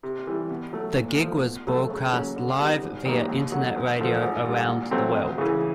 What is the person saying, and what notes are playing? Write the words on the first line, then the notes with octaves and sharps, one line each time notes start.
The gig was broadcast live via Internet radio around the world.
C3
E3 G3
B2
F#3 A3
A#2
F3 A3
B2
F#3 A3
C#3
F#3 A#3 C#4
D3
G3 B3 D#4
G#1
F#2 D#3 G3 A#3
D#2
D3 F#3
D2
D3 F3 A3
G#1
G2 D3
A#2
F#3 A3 C4
D2
C#3 E3